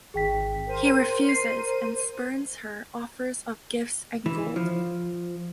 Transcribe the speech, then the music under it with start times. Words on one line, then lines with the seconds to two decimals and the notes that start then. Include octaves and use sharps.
He refuses and spurns her offers of gifts and gold.
0.14 G#1 G#4 G5 B6
0.66 A#4 C5 D#7
1.29 C7
4.26 E3
4.56 F3